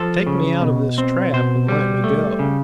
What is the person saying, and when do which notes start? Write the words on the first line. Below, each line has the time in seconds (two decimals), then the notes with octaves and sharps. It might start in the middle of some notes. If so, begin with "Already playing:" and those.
Take me out of this trap and let me go.
Already playing: F3 A4
0.27 C#3
0.61 B2
0.98 C4
1.33 B2 C5
1.68 G3
2.04 A3
2.39 C#3